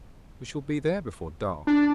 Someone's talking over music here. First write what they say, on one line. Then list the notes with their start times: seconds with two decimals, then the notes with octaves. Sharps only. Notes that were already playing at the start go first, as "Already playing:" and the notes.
'We shall be there before dark.'
1.67 D4